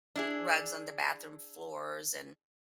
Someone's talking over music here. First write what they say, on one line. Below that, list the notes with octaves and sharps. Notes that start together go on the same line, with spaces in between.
rugs on the bathroom floors and,
D4 E4 G#4